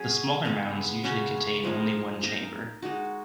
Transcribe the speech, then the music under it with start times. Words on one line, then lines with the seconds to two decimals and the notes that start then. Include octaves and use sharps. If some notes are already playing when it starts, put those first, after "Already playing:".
The smaller mounds usually contain only one chamber.
Already playing: F#3 C#4 G#4
0.45 C#3 G#3 B3 D#4
1.04 C#3 G#3 C#4 F#4
1.63 F3 G#3 D#4 A#4
2.23 A#3 D#4 A#4
2.82 G#3 D#4 F#4